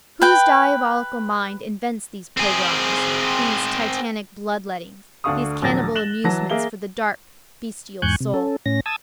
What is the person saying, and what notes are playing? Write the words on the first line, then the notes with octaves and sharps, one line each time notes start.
Whose diabolical mind invents these pogroms--these titanic blood-lettings, these cannibal amusements for the dark, bestial souls?
B4 G5
C4 G#4
D2 D4 A4 F5 C#6 D#6
A#1 D#2 F3 F#3 A6 A#6
F#6 E7 F#7 G7
E3 F#3 A5 A#6
A#3 G#4 E5 F5 G7
E2 G#2 G#5 C#6 F#6 G6
C3
C#4 A4
A2 C#4 A#6
A5 D#6 E6 G#6 A6